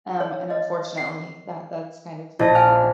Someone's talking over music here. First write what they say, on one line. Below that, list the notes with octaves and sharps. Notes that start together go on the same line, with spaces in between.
um, and, unfortunately, that that's kind of sad.
C#5
D#5
C7
A#1 E4 D#5 A5 A#6
F5 G#5 A5 F6